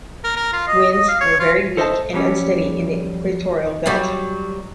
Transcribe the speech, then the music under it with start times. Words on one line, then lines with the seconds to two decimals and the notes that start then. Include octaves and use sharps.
Winds were very weak and unsteady in the equatorial belt.
0.24 A#4
0.36 A#4
0.53 F4
0.67 D#5
0.92 D#5
1.08 F5
1.20 C#5
1.40 F4
1.77 A4 C5 D#5 E5 A5
2.13 F2 F#3 G3 C#4
3.86 F#3 G3